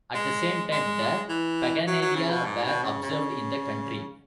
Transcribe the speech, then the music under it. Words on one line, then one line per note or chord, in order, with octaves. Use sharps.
At the same time the Paganalia were observed in the country.
G#3
G#3
E3
F#3
F#3
C#3
B2
G#2
B2
C#3
C#3